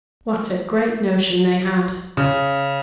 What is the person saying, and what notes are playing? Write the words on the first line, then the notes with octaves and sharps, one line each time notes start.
What a great notion they had!
C#3